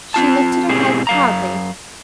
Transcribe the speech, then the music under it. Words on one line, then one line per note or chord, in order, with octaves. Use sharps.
She lifted her head proudly.
C4 F4 A5
G#2 B2 C4 E4 G4 G#4
F#2 F5 A#5